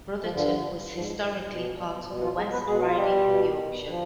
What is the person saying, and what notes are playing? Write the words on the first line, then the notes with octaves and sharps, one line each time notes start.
Brotherton was Historically part of the West Riding of Yorkshire.
F3
G2 D3 F3 G3
F3
G3
G3
G#2 F3
G3
F3
G3
F3
B2 G3
F3
G3
F3
B2 G3
F3 F4
G#3 G#4
B3 B4
B2 G#3 G#4
F4
G3 G4
B2
F3